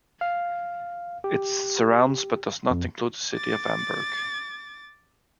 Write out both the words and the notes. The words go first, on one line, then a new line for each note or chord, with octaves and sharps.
It surrounds but does not include the city of Amberg.
F5
G4
F2
D6 A6